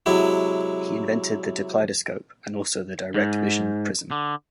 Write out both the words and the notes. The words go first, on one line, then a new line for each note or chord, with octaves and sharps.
He invented the dipleidoscope and also the direct vision prism.
C3 F#3 G#3 E4 F#4
G#2
D3